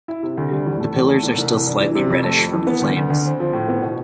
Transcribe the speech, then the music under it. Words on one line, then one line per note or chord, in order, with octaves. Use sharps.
The pillars are still slightly reddish from the flames.
E4
C3
D2
G3
E2
A3
E2
A3
C2
C2
E3
G2
E3
C3
F2
A3
F2
E3
B3
D2
D2
D2
C4
F3
A2
B3
B2